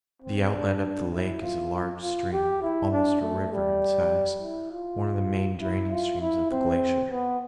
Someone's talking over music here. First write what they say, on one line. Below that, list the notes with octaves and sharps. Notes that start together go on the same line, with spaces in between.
The outlet of the lake is a large stream, almost a river in size, one of the main draining streams of the glacier.
C4
D4
E4
F4
F4
G4
E4
D4
A3
G3
E4
F4
E4
F4
E4
C4
B3